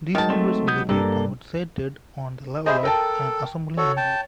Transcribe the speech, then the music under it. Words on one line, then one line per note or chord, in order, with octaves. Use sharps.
These members will be compensated on the level of an Assembly member.
D#3 F#3 G#3 A5
A3 C4
B3 D#6 G6
G2 A#3 G4 A4 A#5 E6
G#4 C5 D#5 E5 B5
A4 A#4 G5 A5
F#4 A4 C#5
G5 A5